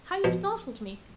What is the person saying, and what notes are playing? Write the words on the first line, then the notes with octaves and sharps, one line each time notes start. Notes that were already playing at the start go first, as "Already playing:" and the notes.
How you startled me!
B2 F3